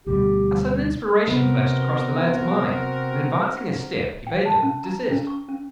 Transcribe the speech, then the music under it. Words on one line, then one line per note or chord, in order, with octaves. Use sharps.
A sudden inspiration flashed across the lad's mind; and, advancing a step, he bade them desist.
D2 B2 G3 G4
C3 B3 C4 F#4 A#4
G5
A5
C#4
A#5
C#4
C#6
C#4